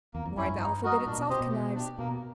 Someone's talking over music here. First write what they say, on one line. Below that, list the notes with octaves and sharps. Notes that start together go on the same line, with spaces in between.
Why, the alphabet itself connives.
E2 A#3
F2
F#2 C#4 E4
G2
D#4
F#4 A#4 D#5
A#2 D4
B2
C3 G4 C5 D#5
B2
A3
D4 G4
B2 A#3